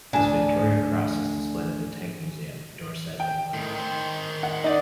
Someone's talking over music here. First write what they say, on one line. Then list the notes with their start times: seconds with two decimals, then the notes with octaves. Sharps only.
His Victoria Cross is displayed at The Tank Museum, Dorset, England.
0.13 D2 D4 G#5
3.20 G5
3.53 A2 D#3
3.75 D#3 C5
4.43 F#5
4.64 D#4 D5